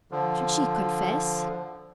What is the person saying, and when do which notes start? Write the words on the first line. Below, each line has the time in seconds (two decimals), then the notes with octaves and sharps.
Should she confess?
0.12 D3 F3